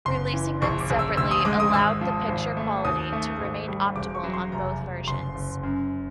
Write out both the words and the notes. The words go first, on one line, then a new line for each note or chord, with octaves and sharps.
Releasing them separately allowed the picture quality to remain optimal on both versions.
F#1 C6
E3
A#1 C#6
D6
A#1
E6
D2 E6
D#6
G#3 D6
D#6
G#1 E6
F3
G#1
A3
D#2 D#6
A3
G#1
G3
E1 D6
C#6
F#3
C6
F1 A#5
F1
F#1 C6
F#1
F#2